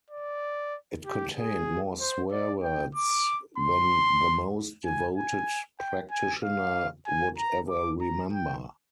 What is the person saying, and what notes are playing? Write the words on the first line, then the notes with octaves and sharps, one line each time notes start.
It contained more swear words than the most devoted practitioner would ever remember.
D5
G4
G#4
C5
D5
G5
D6
C6
G#5
G#5
G5
G#5
F5
G#5
A#5
D6
A#5
G5